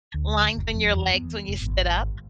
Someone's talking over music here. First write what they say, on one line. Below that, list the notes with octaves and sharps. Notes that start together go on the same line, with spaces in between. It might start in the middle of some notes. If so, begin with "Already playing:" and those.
lines in your legs when you stood up?
D2
F#1
F2
E2
B3
F1
G#1